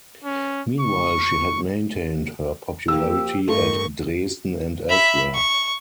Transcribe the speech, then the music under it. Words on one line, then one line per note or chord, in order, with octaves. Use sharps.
Meanwhile, she had maintained her popularity at Dresden and elsewhere.
C#4
C#6
F3 A#3 G4 E6
G2 D#3 A3 D#4 F4 C#6
E5 B5
C#6